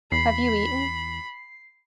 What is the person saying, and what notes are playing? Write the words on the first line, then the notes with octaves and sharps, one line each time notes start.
Have you eaten?
E2 B5 C7